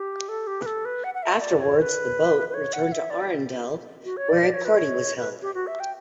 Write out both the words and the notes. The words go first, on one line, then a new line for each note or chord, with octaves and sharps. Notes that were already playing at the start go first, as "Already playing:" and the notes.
Afterwards, the boat returned to Arendelle where a party was held.
Already playing: G4
A4
G4
B4
A4
B4
F#5
F#5
E5
D5
C#5
B4
B4
C#5
F#5
E5
D5
F#4
C#5
D5
D5
C#5
B4
C#5
B4
G4
F#4
E5
G5